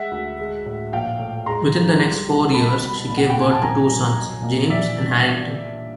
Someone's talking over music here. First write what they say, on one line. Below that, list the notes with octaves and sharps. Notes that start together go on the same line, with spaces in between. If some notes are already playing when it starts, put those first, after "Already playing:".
Within the next four years she gave birth to two sons, James and Harrington.
Already playing: G#3 E5 F#5
D2
G#3
A2
A#1 F5 G5
A2
G#3 A#5 C6
G#3
G3
B1
B2 A5 B5
C2
A#2
F#5
G5
A#2 G#5
A5
F#2 G#5 A#5
F#2
B1
A#2
E3 D5 E5
G2